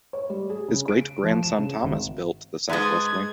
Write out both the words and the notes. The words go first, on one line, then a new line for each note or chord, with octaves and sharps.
His great-grandson Thomas built the south-west wing.
C#5
G3
G#4
C#3
D7
F3
E7
C#3
G#1
G#2 G#3 B4 A5 D#6 G#6